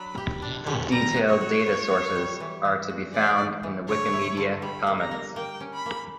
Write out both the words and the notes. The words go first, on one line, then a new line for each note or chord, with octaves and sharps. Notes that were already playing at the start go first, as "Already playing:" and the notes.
Detailed data sources are to be found in the Wikimedia Commons.
Already playing: F#3 D4 B5
G4
D4
G4
G3 A#5
F#4
C#5
F#4
B3
F#4
G3
E3
E3
F#4
E3 D5
E3
E3
D3 C#5
E4
D3
G3 B5
A#3
A#5
A#3
A#3 G5
C#4
B5
A#3